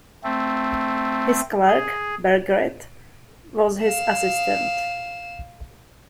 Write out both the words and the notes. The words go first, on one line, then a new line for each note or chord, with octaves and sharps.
His clerk, Bergeret, was his assistant.
A3 C4
G#4
F5 E7